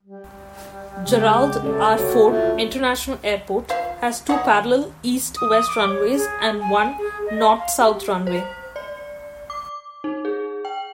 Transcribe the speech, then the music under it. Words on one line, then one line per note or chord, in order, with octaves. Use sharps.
Gerald R. Ford International Airport has two parallel east-west runways and one north-south runway.
G3
C#3 G#3 B3 G4
C3 C#4 A4 D5
F#4 C#5
A3 E4 F4
F3 C5 F5
D#4 C#5 F#5
D#6
D6
C#5
G#4
G#5
G#4
D#5
C6
F5
G4
C5
D5
D6
D#4
G#4
G5